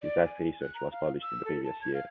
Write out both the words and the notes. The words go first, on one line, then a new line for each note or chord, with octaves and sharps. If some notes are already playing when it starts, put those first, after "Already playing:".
His last research was published in the previous year.
D5
G#5
F#6
A#5
F5
E6
A4
A5
G#6
F5